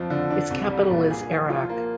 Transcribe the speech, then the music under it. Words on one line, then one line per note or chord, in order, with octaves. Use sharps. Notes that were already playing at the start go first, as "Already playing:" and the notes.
Its capital is Arak.
Already playing: F2 F3 C4
D3
D4
C2
G3
A#2
G#4
F3
F4
A#3